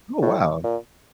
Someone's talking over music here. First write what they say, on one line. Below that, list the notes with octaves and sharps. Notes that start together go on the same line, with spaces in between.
Oh, wow.
A2
A#2